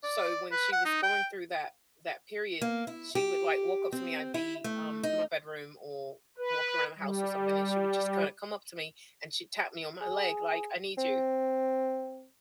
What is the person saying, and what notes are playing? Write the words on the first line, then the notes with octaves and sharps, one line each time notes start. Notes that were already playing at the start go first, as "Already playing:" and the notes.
so, when she was going through that that period, she would, like, walk up to me I'd be, um, in my bedroom or walking around the house or something, and she would just kinda come up to me, and she'd tap me on my leg like, "I need you."
D5
B4
F#5
D#4
G5
A#3
E4
G4
C4
E4
A3
D#4
B4
G3
G#4
C4